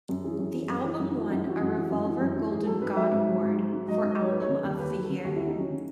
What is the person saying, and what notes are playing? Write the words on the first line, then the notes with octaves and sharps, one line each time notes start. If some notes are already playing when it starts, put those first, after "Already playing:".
The album won a Revolver Golden God award for "Album of the Year".
F#2
E3 G#4
F#2
E3
F#2
E3
F#2
E3 F#4
F#2 D#4
E4
E3 F#4
F#2
E3
F#2
E3
F#2
E3
G#2 G#4
F#3 A4
G#2 B4
F#3 E5
G#2
F#3
G#2
F#3
G#2
F#3 D#5
G#2
D#5
F#3 C#5
F#3 B4
C#5
C#3
D#2
D#2 B4
F#3
A4
C#3
D#2 F#4
D#2 E4
D#4
F#3 C#4
C#3